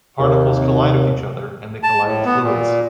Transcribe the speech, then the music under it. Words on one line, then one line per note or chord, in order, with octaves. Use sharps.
Particles collide with each other, and they collide with fluids.
D#2 C3
A5
A2
B3
A#2